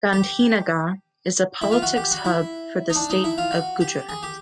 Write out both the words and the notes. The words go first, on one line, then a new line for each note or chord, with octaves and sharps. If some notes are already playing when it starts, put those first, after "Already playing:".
Gandhinagar is a politics hub for the state of Gujarat.
G4
E4
F4
F#4
G4
F#4
E4
D#4
D4
D#4
E4
F4
F#4
G4
G#4
G4